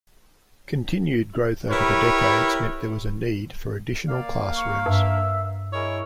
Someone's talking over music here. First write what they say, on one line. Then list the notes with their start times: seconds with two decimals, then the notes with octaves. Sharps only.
Continued growth over the decades meant there was a need for additional classrooms.
1.71 E4 G4 A#4 B4 C#5
4.08 A#3 D5 F5
4.53 C#6
4.86 G2 E5
5.73 G#3 E4 A#4 C#5